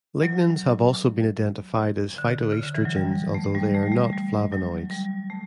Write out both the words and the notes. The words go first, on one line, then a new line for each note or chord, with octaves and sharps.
Lignans have also been identified as phytoestrogens, although they are not flavonoids.
F#3
D3
C#3
D3
E3
F#3
G3
A3
G3
A3
G3
A3
G3
F#3
G3
A3